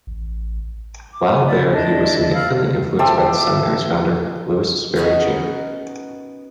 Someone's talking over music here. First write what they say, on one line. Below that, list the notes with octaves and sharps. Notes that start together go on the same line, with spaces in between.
While there he was significantly influenced by the seminary's founder, Lewis Sperry Chafer.
A1
D6
G#5
C5 D5 B5
D4 E4 D5 D#5
F5 B5 E6 F6
G4 A4 C5 E5
B3 C#4 D#4 F#4 A#4 B5